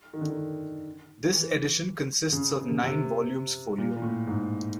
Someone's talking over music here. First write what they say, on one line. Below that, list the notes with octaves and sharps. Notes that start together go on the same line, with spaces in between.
This edition consists of nine volumes folio.
D#3
D3
D#3
E3
C#3
C3
C#3
C3
A#2
A#2
A2
G#2